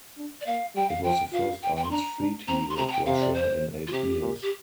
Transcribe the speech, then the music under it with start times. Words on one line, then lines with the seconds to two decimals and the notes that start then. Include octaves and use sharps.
It was the first arms treaty with Russia in eight years.
0.18 D4
0.41 D5
0.46 A#3 F5
0.75 G3 G5
0.89 F5
1.04 F3 G5
1.33 F4 F5
1.62 G5
1.76 G5
1.84 C6
1.91 D4 A#5
2.19 D4
2.48 C4 A#5
2.70 C6
2.77 C3 A#5
2.88 A#5
2.92 G5
3.06 C3 F5
3.21 D5
3.34 C5
3.87 F4
3.92 C3 G4
4.21 A#2
4.42 G4